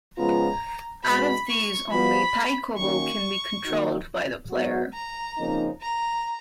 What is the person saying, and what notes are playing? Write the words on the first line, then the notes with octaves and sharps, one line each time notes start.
Out of these, only Taikobo can be controlled by the player.
C#3 F3 G#3 B3 F4 A#5
B2 G#3 B3 F#4 B5
C#6
F3 B3 F#4 B5
D#3 A#3 C#4 F#4 C#6
D#3 A#3 D#4 F#4
G#2 F#3 B3 F#4
A#5
F2 C#3 F3 A#3 D#4
A#5